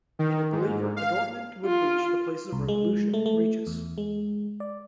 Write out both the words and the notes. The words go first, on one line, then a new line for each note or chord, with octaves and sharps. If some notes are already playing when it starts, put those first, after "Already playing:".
In a believer adornment would reach the places where ablution reaches.
D#3
G#2
F5
F4
C2
G#3
A3
A3
E2
G#3
D5